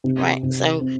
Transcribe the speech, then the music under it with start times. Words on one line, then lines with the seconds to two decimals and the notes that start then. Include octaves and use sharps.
Right, so,
0.04 C3
0.43 C3
0.81 C4